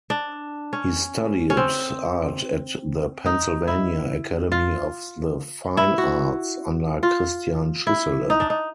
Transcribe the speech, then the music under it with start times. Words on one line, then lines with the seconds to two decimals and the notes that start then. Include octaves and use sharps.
He studied art at the Pennsylvania Academy of the Fine Arts under Christian Schuessele.
0.10 D4
0.73 C#4
1.50 C#4
1.57 C4
3.26 D#4
3.67 E4
4.52 F4
5.77 E4
5.98 F#4
7.03 F4
7.87 E4
8.30 D#4
8.40 D4
8.50 D#4